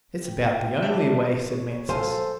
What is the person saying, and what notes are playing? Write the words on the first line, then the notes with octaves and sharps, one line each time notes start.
"It's about the only way," said Mansus.
G5
D4 E5
C#5
B1 A4 C5 F5 G#5